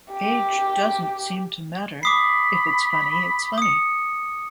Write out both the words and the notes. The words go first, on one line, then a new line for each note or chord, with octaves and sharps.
Age doesn't seem to matter - if it's funny, it's funny.
G4
B5 D6 D#6 C7
D#6 C#7